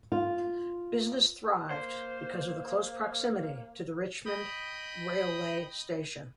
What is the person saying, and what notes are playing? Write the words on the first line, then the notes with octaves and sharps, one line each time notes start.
Business thrived because of the close proximity to the Richmond railway station.
F4
A#3 C5
D#5 G5 B5 D#6